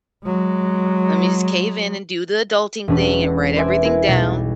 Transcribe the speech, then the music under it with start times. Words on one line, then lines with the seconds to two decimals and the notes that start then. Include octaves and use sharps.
Let me just cave in and do the adulting thing and write everything down,
0.24 F#3 G#3
2.88 E1 C#4 D4 B4
3.56 B4 C5 D5 E5 G#5 C6
3.84 E4 G#4 A#4 B4
4.07 B1 G3 A6